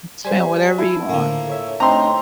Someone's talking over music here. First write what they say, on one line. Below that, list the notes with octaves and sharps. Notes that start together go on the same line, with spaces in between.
Spend whatever you want.
G3 C5 G#5
E4 A5
A2 D3 F3 A#3
A4 C#5 E5
A2 C4 D4 D#4 D#5 A#5 C6